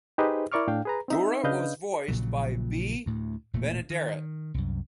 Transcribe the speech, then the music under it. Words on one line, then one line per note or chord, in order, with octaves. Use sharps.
Dora was voiced by Bea Benaderet.
D#4 G4 G#4 B4 C5 D#5
E4 A#4 D5 C#6 D6 F6
A2 D4 F5 G5
G#4 B4 A#5
C4 D#4 E5
C#3 D4 B4 D#5 F5 G6
A#1 A#2 C#3 F#3
D2 A2
E1 A#2 A3
D#3
C2 F#2